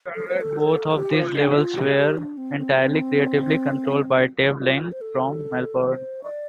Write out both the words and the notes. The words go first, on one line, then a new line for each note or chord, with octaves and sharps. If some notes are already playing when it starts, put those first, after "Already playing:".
Both of these labels were entirely creatively controlled by Dave Laing, from Melbourne.
A4
C5
A4
A4
G4
F4
D4
F4
G4
G4
D4
C4
C4
F4
C5
A4
C5
D5